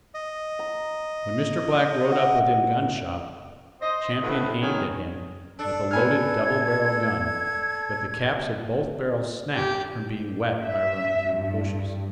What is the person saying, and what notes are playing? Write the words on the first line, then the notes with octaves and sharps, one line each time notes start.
When Mr. Black rode up within gunshot, Champion aimed at him with a loaded double barrel gun, but the caps of both barrels snapped from being wet by running through the bushes.
D#5
A#5
F#5
C5 D#5
A2 B3 C4 B4 E5
G#2 B2 D#3 F#3 G#5
D4 A4
B3 G#5 F6 G#6
G4
E5
G2